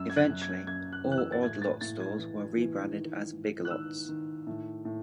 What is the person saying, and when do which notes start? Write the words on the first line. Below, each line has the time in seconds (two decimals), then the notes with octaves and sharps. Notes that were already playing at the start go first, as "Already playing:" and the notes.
Eventually, all Odd Lots stores were rebranded as Big Lots.
Already playing: F#2 E6
0.10 G#6
0.16 F#6
0.29 F#2
0.42 G#6
0.67 F#2 G#6
0.92 F#6
1.05 E3
1.12 F#6
1.18 E6
1.32 A6
1.43 A2 G#6
1.62 A6
1.81 A2 A6
2.00 G#6
2.19 E3
2.57 E3
2.95 D#3
3.33 G#2
3.65 F#6
3.71 D#3 E6
4.09 D#3
4.47 A2
4.85 A2